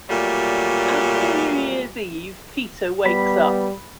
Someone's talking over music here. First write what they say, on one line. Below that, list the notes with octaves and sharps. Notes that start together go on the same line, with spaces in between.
After New Year's Eve, Peter wakes up.
A#2 F#3 G3 A3
G3 B3 B5